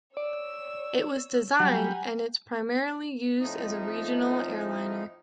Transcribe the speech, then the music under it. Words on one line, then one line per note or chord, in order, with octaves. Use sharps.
It was designed, and is primarily used, as a regional airliner.
C#5 D5 E6
F#3 G3 F#5 G#5 A#5
F2 A2 F3 D#4